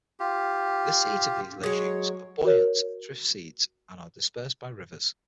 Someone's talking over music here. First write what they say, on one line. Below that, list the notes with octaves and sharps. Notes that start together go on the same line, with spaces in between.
The seeds of these legumes are buoyant drift seeds, and are dispersed by rivers.
F4 G4
F#3 G#3 C#5
F#4 A#4 C#5